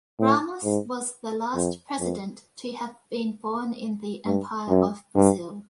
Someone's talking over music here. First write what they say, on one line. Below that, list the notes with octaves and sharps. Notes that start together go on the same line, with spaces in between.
Ramos was the last President to have been born in the Empire of Brazil.
A2
G#2
F2
F2
G2
F#2
G2